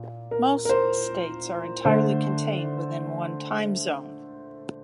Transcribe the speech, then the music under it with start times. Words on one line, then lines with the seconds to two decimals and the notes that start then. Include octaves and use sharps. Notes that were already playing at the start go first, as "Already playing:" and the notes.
Most states are entirely contained within one time zone.
Already playing: A#2
0.31 A#4
0.65 A#4
0.69 C5
1.85 D3 A3 C5